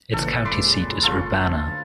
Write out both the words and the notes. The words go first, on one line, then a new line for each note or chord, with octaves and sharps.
Its county seat is Urbana.
A1 A#2 C#3 E3 A4
F1 A#2 C#3 G#3 B4 C6 D6
G1 C#4 F4 A4
D2